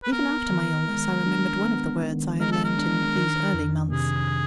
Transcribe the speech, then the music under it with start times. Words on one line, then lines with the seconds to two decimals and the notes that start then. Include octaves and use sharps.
Even after my illness I remembered one of the words I had learned in these early months.
0.04 B4
0.12 B3 A#4
0.51 D#3
0.88 G#3
1.27 D4
1.64 B3
2.02 D#3
2.40 G#3 A#4
2.52 A4
2.64 A#4
2.78 D4
3.16 D#3
3.54 F2
3.91 C3 G#4